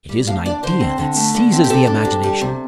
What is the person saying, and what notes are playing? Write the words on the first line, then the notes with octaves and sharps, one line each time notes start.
It is an idea that seizes the imagination.
G3
A2 F5
D4 D5
D3 C5
C4
D3
A3
D3
C4
G4
C3 A4
D4
C3
G3
C3